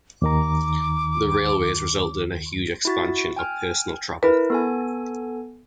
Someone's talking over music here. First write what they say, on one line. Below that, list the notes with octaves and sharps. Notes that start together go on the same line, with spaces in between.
The railways resulted in a huge expansion of personal travel.
D#2 D#3 A#5 D6
E4 F#4 A6
G5 G#5 F6
E4 A#4 B4
B3 A4 G#5